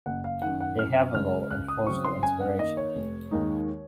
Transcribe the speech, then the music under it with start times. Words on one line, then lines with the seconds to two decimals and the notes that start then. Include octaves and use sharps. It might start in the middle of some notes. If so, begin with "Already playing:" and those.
They have a role in forceful inspiration.
0.06 F#1 F#5
0.24 F5
0.42 F#2 D#3 F#5
0.60 F#5
0.78 F#2 F6
1.14 C#3 G#3 C#4 F6
1.50 C#2 F#6
1.68 D#6
1.87 C#3 F#3 C4 C#6
2.04 C6
2.23 F#2 G#5
2.40 F#5
2.59 D#3 A#3 D#5
2.77 C#5
2.95 F1
3.31 D#2 D#3 G#3 D#4